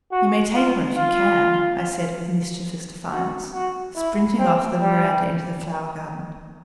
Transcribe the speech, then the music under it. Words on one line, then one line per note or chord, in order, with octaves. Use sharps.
"You may take one if you can," I said with mischievous defiance, springing off the veranda into the flower-garden.
F#4
F4
F4
F#4
F#4
E4
C4
G3